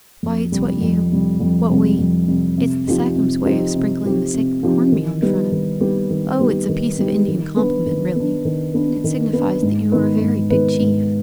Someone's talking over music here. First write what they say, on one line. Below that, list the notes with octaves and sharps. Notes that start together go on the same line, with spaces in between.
'Why it's what you--what we--it's the Sachems' way of sprinkling the sacred corn-meal in front of--oh! it's a piece of Indian compliment really, and it signifies that you are a very big chief.
F2
C3 G3
F2
C3 G3
F2
C3 G3
F2
C3 G3
C3
F3 C4 D#4 G4
C3
F3 C4 D#4 G4
C3
F3 C4 D#4 G4
C3
F3 C4 D#4 G4
D#3
G3 B3 D#4 G4
D#3
G3 B3 D#4 G4
D#3
G3 B3 D#4 G4
D#3
G3 B3 D#4 G4
D#3
B3 D4
D#3
B3 D4
D#3
B3 D4
D#3
B3 D4
G#2
D#3 B3 D#4 B4
G#2
D#3 B3 D#4 B4
G#2